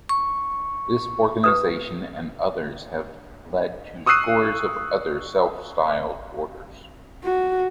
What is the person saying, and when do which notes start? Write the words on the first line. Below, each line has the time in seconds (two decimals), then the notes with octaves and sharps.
This organisation and others have led to scores of other self-styled Orders.
0.09 C#6
1.44 G4 B4 D#6
4.06 C#6 D#6 E6 F#6 C7 D#7
7.24 F#4